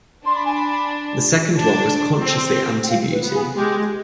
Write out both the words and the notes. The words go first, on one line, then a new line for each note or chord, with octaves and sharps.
The second one was consciously anti-beauty.
D4 C6
B5
G#5
B5
D4
C4
G5
F5
B4
B3
G#4
G#3 G4